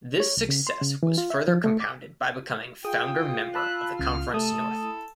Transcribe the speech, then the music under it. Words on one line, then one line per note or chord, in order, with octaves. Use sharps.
This success was further compounded by becoming founder member of the Conference North.
C#5
C2
C#3
C6
C#3
E3
F4
E5
F3
A3
D6
F4 G#4 G5 D#6
A5 B5 E6 F#6
C#2 C#3 F6
C3 A3 A4 D#6
E4